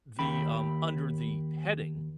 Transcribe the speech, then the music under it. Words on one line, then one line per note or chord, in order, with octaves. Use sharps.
the um, under the heading
D#2 G5 B5